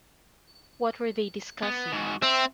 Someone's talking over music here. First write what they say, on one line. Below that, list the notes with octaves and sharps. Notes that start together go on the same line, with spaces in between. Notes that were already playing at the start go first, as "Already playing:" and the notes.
What were they discussing?
B3
G#2 F#4
C4 E5